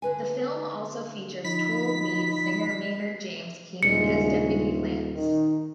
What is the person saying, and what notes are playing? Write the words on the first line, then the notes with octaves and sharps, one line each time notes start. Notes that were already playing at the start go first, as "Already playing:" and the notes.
The film also features Tool lead singer Maynard James Keenan as Deputy Lance.
D3 B4 G#5
F3 D#4 B5 B6
D#1 G2 C#3 G#3 C#7
D#3